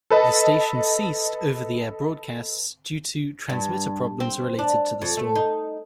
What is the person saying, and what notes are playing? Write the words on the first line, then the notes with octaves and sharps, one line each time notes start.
The station ceased over-the-air broadcasts due to transmitter problems related to the storm.
A4 B4 D#5
G2
C4
D4
F2
A3
D#4